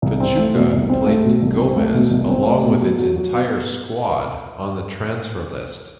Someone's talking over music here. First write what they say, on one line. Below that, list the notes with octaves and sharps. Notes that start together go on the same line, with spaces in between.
Pachuca placed Gomez, along with its entire squad, on the transfer list.
C2
C4
A3
B2
C2
C4
A3
B2
C2
C4
A3
B2
C2
C4
A3
B2
F#3
F#3
F#4
B3